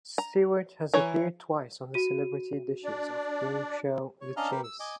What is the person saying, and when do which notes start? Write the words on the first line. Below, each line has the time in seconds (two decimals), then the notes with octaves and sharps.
Stewart has appeared twice on the celebrity editions of game show "The Chase".
0.18 A#5
0.94 E3 C#5 A#5
1.94 F#4 D#7
2.84 D4 D5
4.21 C#5
4.37 C#4 D4 D#5 F5 A#5 F6
4.51 G4 A#4 B4
4.64 E6
4.80 D#5 G#5 D6